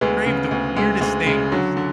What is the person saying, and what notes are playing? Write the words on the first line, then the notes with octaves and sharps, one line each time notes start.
crave the weirdest things,
D2 G#3 B3
C#3
D2
D2 G#3
D2 G#3
C#3 G#3
D3 F#3
D3